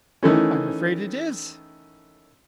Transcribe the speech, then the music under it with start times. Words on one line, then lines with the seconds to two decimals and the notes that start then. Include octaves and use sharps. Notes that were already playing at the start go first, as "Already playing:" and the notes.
"I'm afraid it is."
0.23 D#3 E3 A3 C#4